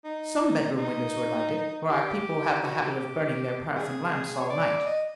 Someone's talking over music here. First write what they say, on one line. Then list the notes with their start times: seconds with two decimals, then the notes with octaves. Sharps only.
Some bedroom windows were lighted, for our people have the habit of burning their paraffin lamps all night.
0.04 D#4
0.78 D#4
1.89 G4
2.64 F#4
2.82 G4
3.76 G#4
4.40 C#5
4.50 D5
4.86 D#5